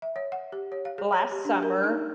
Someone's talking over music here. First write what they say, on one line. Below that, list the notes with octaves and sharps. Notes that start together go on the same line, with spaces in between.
last summer
E5
C#5
F#5
G4
C#5
F5
G#4
C#5
G4
D4
A#4
D#4